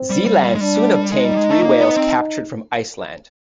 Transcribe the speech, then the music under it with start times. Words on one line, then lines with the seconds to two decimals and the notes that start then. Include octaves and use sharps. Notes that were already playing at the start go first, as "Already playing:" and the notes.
Sealand soon obtained three whales captured from Iceland.
Already playing: C4
0.10 G3
0.27 G3
0.44 G3
0.55 G#3
0.61 G3 D4
1.12 G#3 D#4
1.25 G3
1.37 G#3
1.51 A3
1.63 A#3
1.81 B3
1.97 C4